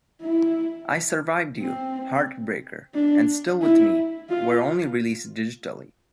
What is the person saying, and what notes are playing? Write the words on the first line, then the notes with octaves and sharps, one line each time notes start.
"I Survived You", "Heartbreaker" and "Still with Me" were only released digitally.
E4
C4
D4
E4
F4